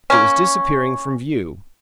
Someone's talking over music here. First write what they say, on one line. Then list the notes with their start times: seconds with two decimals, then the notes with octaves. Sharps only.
It was disappearing from view.
0.10 A#3 C#4